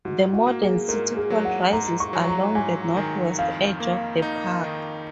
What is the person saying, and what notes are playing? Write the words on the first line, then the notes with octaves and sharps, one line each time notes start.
The modern city hall rises along the northwest edge of the park.
G#2 F#4
F#4
A#3
G#4
G#2 A#4
G#4
F#3
F#5
G#2 A#5
C#6
F#3
A#5
G#2 G#5
D#3
F2 F5
A#3
D#4
D#3